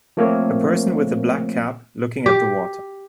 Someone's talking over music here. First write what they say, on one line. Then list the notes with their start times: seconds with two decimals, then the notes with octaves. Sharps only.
A person with a black cap looking at the water.
0.17 F3 A3 A#3 C4 A#4 C#5
2.26 G4